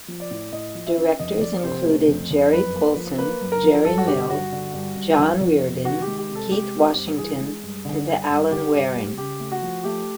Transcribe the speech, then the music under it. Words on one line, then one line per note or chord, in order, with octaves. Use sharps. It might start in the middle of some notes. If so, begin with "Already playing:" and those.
Directors included Gerry Poulson, Gerry Mill, John Reardon, Keith Washington and Alan Wareing.
F3
D5
A2
A2 D#5
F3
E5
C#4
F2 D#5
F2 D5
C3 C5
A3
F2
F2
F#2 B4
A#3
F3
A#3 B4
F#2
A#4
F3
G2 A4
F#4
D3 G4
G2 F#4
D3
G2
G2
F2
F2
C3
D#3 F#4
G4
G#3
G4
C3
A4
G#3 G4
C4
G2
E3 G#4
G#3
G2
D3
G2
G2
D3 G4
G2
G3
C#3 G4
A3
F#4
F3
A3 G4